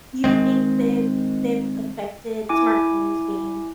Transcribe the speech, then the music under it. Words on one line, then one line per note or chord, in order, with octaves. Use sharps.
you think that they've affected smartphones being
D#3 F#3 G#3 C4
E4 G#5 D6